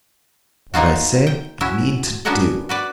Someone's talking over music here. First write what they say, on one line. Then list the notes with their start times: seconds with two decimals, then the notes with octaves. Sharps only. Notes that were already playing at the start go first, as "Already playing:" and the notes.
What I say, I mean to do!'
0.74 A#3 D#4 F4 F#4
1.27 G5
1.61 C#4 E4 F#4
2.25 B3 C#4 D4 F#4 A#4 F#5
2.69 F#4 B4 D5